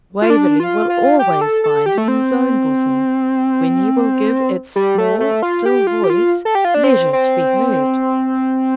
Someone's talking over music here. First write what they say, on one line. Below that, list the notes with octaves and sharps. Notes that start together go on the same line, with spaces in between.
Waverley will always find in his own bosom, when he will give its small still voice leisure to be heard.'
F4
D4
F4
F4
G4
A4
A4
G4
A3
C4
G3
A3
A3
F4
G4
F4
G4
F4
A4
G4
F4
D4
C4
C4